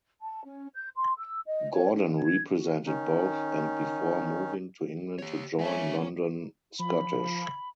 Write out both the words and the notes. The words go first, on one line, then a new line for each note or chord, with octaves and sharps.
Gordon represented both and before moving to England to join London Scottish.
A5
C#4
G6
C6
E6
D#5
C#5
D4
G#6
F#4
D#3 C#4 D#4
G4 C#5
G#3 A#3 C#4 E5
F3 B5